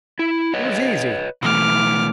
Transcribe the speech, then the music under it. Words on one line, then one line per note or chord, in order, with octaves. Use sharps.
It was easy.
E4
B4 C#5 D#5
B2 E3 A3 D6 F6